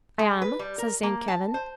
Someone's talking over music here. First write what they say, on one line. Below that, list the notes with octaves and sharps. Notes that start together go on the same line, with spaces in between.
"I am," says Saint Kavin.
G#3
B4
G3
A#4
A#3
A5
C5